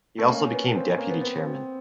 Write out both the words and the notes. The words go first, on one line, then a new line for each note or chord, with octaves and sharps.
He also became deputy chairman.
A3
A#3 C#4
B3
B3
C4 C#4
B3
A#3
B3
B3 C4